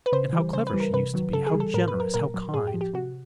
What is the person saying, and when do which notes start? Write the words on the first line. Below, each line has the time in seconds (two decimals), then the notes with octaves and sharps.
And how clever she used to be... how generous... how kind!
0.06 B4
0.12 C#3 C5
0.33 E3 G3
0.53 C#3 C5
0.67 B4
0.73 E3 G3
0.80 A#4
0.93 C3 B4
1.14 D#3 F#3
1.33 C#3 A4
1.47 G#4
1.53 E3 G3
1.60 A4
1.74 A2 A#4
1.88 B4
1.94 F#3
2.00 A#4
2.14 A#2 A#4
2.34 F#3
2.54 A2 G#4
2.67 G4
2.74 F3
2.81 G4
2.94 C3 F#4